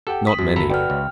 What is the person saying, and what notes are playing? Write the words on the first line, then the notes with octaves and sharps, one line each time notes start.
Not many!
G4 A4 F#5 G5
D#6 B6 F#7
F#2 F#4
G1 A4 A#5 B5
F#4 B4 D5 G5 F6
C#2